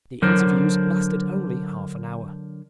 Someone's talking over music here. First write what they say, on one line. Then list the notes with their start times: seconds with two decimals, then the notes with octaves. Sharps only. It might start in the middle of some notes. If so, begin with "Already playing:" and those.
The interviews lasted only half an hour.
0.22 D3 F#3 A#4 C5